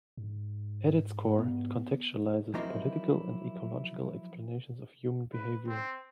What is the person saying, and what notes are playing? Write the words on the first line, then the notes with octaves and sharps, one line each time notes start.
At its core, it contextualizes political and ecological explanations of human behavior.
G#2
B3
F3 F#3 A#3 C4 D#4 E4
B4
C4